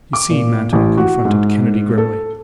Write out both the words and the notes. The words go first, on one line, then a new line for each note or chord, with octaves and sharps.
"You see!" Manton confronted Kennedy grimly.
D6
A#2
A1
F#4
G#2
A4